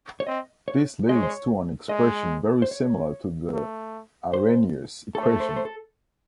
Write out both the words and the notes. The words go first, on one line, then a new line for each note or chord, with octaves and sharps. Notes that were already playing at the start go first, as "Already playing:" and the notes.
This leads to an expression very similar to the Arrhenius equation.
C#5
C4 D#5
C#5
G#3 D#5
C#5
C5
C#5
G#3 D#5
C5
C#5
A3
C5
A3 A4
C5
A4
C5
A4
C5
A4